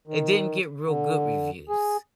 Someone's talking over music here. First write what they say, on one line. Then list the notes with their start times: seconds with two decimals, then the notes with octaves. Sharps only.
It didn't get real good reviews.
0.07 D#3
0.86 D3
1.69 G#4